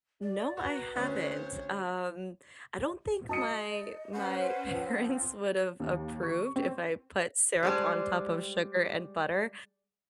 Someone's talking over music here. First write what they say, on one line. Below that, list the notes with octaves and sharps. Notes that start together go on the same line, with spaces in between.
No, I haven't, um, I don't think my my parents would've approved if I put syrup on top of sugar and butter,
D5
F#4 B4 A#5
D2 C4 C#4 C5 C#5
D#5 A5 D#6 C#7
C#4 B4 C5 F#5
F3 C4
D#2
C#6
C4
G3 G#3 C5